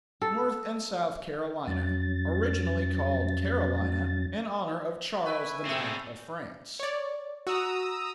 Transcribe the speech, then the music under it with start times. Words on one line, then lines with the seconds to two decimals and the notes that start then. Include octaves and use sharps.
North and South Carolina--Originally called Carolina, in honor of Charles IX. of France.
0.22 A4
1.67 F2 F#3 C#4 A6
5.26 B4 E5 G#5 C#6 E6 D7
5.65 A2 C4 G#4 A4
6.80 C#5 D5
7.47 F#4 A#5 D#6 E6